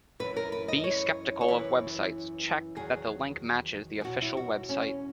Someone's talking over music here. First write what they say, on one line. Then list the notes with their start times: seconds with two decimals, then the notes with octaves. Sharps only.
Be skeptical of websites, check that the link matches the official website.
0.20 F#2 E3 B4
0.36 A#4
0.52 B4
0.68 D#5
0.84 C#5
1.41 C#5
1.48 F#2 E3 B4
2.76 E2 D#3 F#3 G#4
4.01 G#4
4.05 E2 B2 F#3 F#4
4.22 E4
4.37 F#4
4.69 C#4